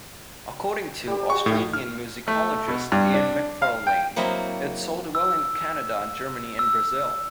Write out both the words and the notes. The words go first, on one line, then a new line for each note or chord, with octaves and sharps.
According to Australian musicologist, Ian McFarlane, it sold well in Canada, Germany and Brazil.
G3 G4
G3 F#4 C#6
A2 E4 D#6
F6
A3
B2
G2
D4
F5
G5
F#3 A#3 C4 E4 D#5
E6
E6